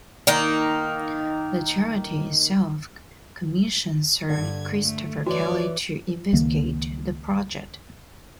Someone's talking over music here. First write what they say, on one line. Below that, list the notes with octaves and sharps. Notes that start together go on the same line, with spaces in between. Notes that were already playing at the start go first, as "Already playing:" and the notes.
The charity itself commissioned Sir Christopher Kelly to investigate the project.
D#3 A#3 D#4
G2 D3 G#6
A3
E3 F#4 C#5 D5
C#2 D#3 A#3